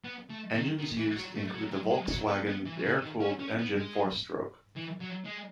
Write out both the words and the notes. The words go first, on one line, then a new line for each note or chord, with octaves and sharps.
Engines used include the Volkswagen air-cooled engine four-stroke.
B3
A3
D#3
D#3
E3
F#3
A3
F#3
G#3
G#3
F#3
B3
B3
E3
C#3
D#3
C#4
C#4
B3
G#3
E3
F#3
G#3